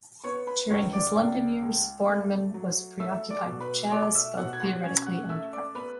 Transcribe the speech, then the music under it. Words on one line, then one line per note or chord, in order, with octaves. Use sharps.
During his London years Borneman was preoccupied with jazz, both theoretically and practically.
B3 C#5 C#6
B4 B5
C#2 C#5 C#6
D5 D6
C#2
G#3
A3
F#3
A3 E5 E6
D5 D6
B2
B4 B5
A3 D5 D6
E5 E6
B2 F#5 F#6
G#6
F#5 F#6
C#4 G#5 G#6
F#5 F#6
A3 E5 E6
D5 D6
B3 B4 B5